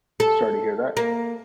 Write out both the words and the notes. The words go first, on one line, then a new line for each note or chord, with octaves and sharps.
Sorry to hear that.
A4
A#3